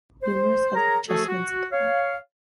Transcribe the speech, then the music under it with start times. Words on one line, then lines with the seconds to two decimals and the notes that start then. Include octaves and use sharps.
Numerous other adjustments apply.
0.23 C5
0.75 G#4 A#4 C#5 A#5
1.08 F3 A3 F#4 G#4 A4
1.28 F#4
1.72 C#5 F5